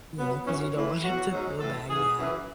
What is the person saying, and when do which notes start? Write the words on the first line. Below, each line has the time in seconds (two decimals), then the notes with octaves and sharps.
Yeah, 'cause you don't want him to feel bad, yeah.
0.19 B2 F#3 B3
0.46 E3 C#4
0.51 F#2
0.75 A2 E3
1.04 B2 F#3 F#4
1.31 G#2 F#3
1.60 A2 E3 A4
1.88 G#2 E3 G#4
2.16 F#2 E3